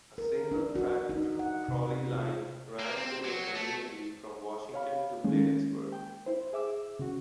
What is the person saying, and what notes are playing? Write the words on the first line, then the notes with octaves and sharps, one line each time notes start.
A single-track trolley line ran through the community from Washington to Bladensburg.
A#4
D4
F#4
D#4
F#5
C3
F4
A#3
C4
F#3
A3
C#5 F5 B5
D#3 G#3 A#3 C#4
G5
E4 C5
G#4 E5 D6 E6
C#3 F#4